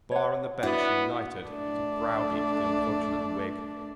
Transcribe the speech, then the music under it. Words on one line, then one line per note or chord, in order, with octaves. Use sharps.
The bar and the bench united to browbeat the unfortunate Whig.
C#5 F#5
B3 D4 E4 F#4 D5 E5 F#5
A3 D4